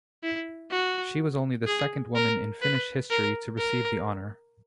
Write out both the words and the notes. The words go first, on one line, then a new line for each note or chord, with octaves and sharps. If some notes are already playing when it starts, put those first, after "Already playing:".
She was only the second woman in Finnish history to receive the honour.
E4
F#4
G#4
A#4
B4
A#4
A#4